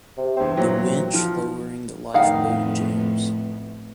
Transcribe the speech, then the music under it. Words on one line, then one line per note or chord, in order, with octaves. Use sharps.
The winch lowering the lifeboat jams.
C3
E2 G2 C4 C5
A#2 E3 F#3 C4
F3 F6
F2 A2 D#3 B3 F5 F#5